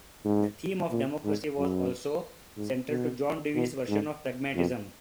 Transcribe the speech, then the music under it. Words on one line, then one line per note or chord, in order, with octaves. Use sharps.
The theme of democracy was also central to John Dewey's version of pragmatism.
G#2
A#2
G#2
F#2
G#2
B2
B2
G#2
F2